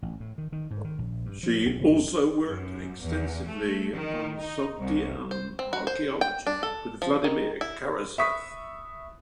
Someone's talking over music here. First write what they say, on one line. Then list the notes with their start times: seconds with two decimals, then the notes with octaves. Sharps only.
She also worked extensively on Sogdian archaeology with Vladimir Karasev.
0.02 A1
0.20 A2
0.38 D#3
0.52 D#3
0.71 G#2
0.84 D#3
0.98 A#1
1.26 G2
1.43 F3
1.66 B1
1.79 F#1
2.44 F#2
3.02 E2
3.44 A3
3.91 D#3
4.39 D#4
4.78 C2
5.31 C5
5.59 C4
5.73 F#4
5.87 C5
6.21 G5
6.47 D4
6.63 A4
7.02 F3
7.24 D#3
7.61 E4
8.18 E5 B5 C#6 D#6 B6